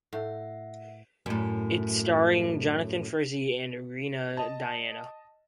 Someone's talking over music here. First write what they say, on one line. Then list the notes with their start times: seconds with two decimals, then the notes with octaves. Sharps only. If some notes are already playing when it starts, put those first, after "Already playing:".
It starring Jonathan Frizzy and Rina Diana.
0.13 A2 E5 F#5
1.26 F#2 A2
4.37 D#5 A5